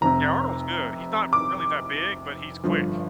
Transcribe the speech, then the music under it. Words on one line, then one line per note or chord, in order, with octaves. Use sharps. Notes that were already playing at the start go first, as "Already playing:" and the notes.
Yeah, Arnold's good. He's not really that big, but he's quick.
F1 F2 C3 A#5
D6
G1 G2 D3 F3